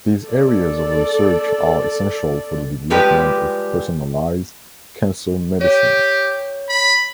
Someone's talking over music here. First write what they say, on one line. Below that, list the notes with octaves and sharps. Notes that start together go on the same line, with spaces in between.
These areas of research are essential for the development of personalised cancer medicine.
A4 D5
F3 G3 G#3 G4 B4
G4 C#5
B5